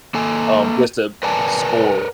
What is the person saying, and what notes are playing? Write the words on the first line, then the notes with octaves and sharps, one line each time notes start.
um, just to score.
A#3 A4 G#5
A#4 B4 D5 F#5 G#5 A5